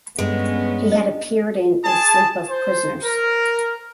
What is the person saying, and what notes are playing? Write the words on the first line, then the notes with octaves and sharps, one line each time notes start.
He had appeared in "A Sleep of Prisoners".
G2 G#3 B3 C#4
D4 D#5
G#4 A5
C5
A#4